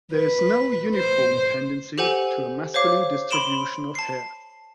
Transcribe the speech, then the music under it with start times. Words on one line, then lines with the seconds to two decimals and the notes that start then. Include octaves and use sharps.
There is no uniform tendency to a masculine distribution of hair.
0.14 B4
0.97 C5
1.98 G4 A4 C5 F#5 G#5
2.74 C5 C#5 F5 D6
3.31 B5 C6 D7 E7
3.95 A5 C7